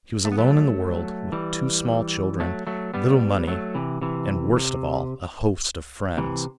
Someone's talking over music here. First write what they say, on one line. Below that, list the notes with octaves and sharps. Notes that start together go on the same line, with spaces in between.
She was alone in the world, with two small children, little money, and, worst of all, a host of friends.
A3
B3
F#3 A3
E3 G3
F#3 A3
F#3 A3
G3 B3
F#3 A3
C3 E3
C3 E3
C3
C3 E3